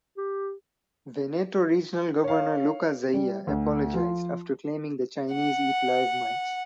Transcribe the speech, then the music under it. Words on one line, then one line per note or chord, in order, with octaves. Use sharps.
Veneto regional governor Luca Zaia apologized after claiming the Chinese eat live mice.
G4
C#5 F5
G3
D2
F3 F4
F#5